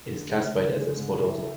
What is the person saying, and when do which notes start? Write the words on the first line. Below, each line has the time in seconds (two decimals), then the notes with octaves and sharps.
It is classified as a spodosol.
0.09 D3
0.27 G#3
0.44 C#3 G#3
0.61 D3
0.79 G#3
0.97 G#2
1.14 E3
1.31 E4